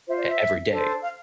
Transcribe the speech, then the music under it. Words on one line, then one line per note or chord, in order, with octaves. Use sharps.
e every day.
F4 C5 E5
D5
E5
D4 A4 C5
F5